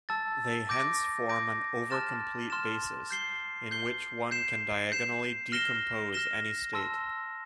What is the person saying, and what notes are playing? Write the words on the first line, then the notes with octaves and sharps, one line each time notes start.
They hence form an overcomplete basis, in which one can diagonally decompose any state.
A5 E6 A6
D6 G6 A#6 D7
D6 G6 A#6 D7
A5 C6 F6 A6 E7
A5 C6 F6 A6 E7
G6 C7 G7
G6 C7 G7
G6 C7 E7
G6 C7 E7
F6 A#6 E7 G7
F6 A#6 E7 G7
A5 C6 E6 A#6